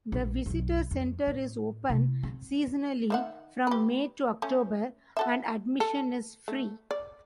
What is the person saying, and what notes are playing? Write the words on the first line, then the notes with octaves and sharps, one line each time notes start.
The Visitor Center is open seasonally from May to October, and admission is free.
A#1
B1 F#2
F2
A2
C3 E4
C4
D#3 E5 F#5
G4 B4
A3 C#4
F#4 A4 E5
A4
A3
D5